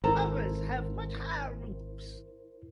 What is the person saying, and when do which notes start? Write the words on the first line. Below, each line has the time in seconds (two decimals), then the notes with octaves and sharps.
Others have much higher roofs.
0.04 G#1 E4 A4 A#4 C5 A5 A#5